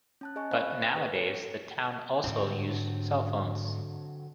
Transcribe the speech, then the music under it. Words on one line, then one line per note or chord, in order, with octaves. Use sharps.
But nowadays the town also used cellphones.
C#4 A5 F#6
G#4 D#5 G#5 C#6
C4 C5 F5 B5 C#6 F#6
G#4 B4
G#4 C#5
G#2 D3 F#3 C4 D4